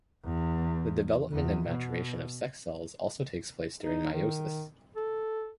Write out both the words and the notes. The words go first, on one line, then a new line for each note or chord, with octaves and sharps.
The development and maturation of sex cells also takes place during meiosis.
E2
E2
B2
D#4
D#3
A4